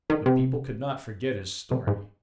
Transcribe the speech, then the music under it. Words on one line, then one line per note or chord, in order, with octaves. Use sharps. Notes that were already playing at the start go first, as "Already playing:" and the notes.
But people could not forget his story.
D#3
C3
C3
G#2